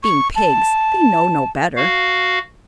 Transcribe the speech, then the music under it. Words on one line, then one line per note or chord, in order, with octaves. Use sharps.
Being pigs they know no better.
C#6
A5
F#4 F5